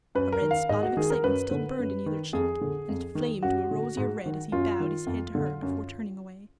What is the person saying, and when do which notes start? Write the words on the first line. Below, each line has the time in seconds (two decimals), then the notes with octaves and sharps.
A red spot of excitement still burned in either cheek, and it flamed to a rosier red as he bowed his head to her before turning away.
0.15 F#2 B4
0.33 A#4
0.42 D#3
0.51 F5
0.69 G#2 D#5
0.83 F#4
0.97 D#3 G#4
1.10 A#4
1.24 F#2 B4
1.51 D3
1.79 F#2
2.06 D#3
2.33 F2 G#4
2.61 D3
2.89 F2
3.15 D#3
3.43 F#2 F#4
3.71 D3
3.97 G#2
4.26 D#3
4.52 F#2 F4
4.80 D#3
5.07 F2
5.35 D3
5.63 F#2